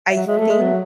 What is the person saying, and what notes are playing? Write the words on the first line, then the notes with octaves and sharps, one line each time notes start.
I think
E5
F#3
G#3 E5
A3
G#3
F#3